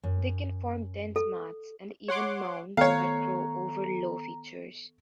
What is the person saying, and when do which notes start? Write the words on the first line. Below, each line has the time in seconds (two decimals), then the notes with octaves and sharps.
They can form dense mats and even mounds that grow over low features.
0.03 F#2
1.16 A4
2.08 C#5 F#5 C6 D6
2.77 D#3 B3 A4 C#5 F5 A#5